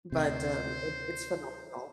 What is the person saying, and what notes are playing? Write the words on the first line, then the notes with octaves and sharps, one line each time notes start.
but, um, it it's phenomenal.
D2 C3 C5